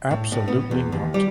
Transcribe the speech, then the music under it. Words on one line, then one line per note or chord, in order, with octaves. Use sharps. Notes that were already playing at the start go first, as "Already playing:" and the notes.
Absolutely not.
A2
A2
B3
E2
D#2
G3